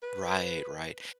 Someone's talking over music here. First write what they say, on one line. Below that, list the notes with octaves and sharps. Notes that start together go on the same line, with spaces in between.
Right, right.
B4